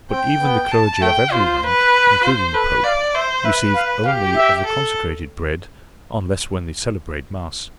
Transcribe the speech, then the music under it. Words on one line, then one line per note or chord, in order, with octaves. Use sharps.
But even the clergy of every rank, including the Pope, receive only of the consecrated bread unless when they celebrate Mass.
C4 G5
B3
A5
A3 G5
F4 C5
B4
F4 C5
A4 B4
D5 F5
C5 E5
B4 E5
F5
G4 F5
E5
A4